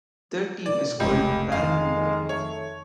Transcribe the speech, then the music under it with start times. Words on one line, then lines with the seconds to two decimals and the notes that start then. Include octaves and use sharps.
Their team is called Barrenmoey.
0.66 B2 D5
1.00 F1 C#2 G4
1.52 F2 D#3 G#3 F5
2.29 A3 C#5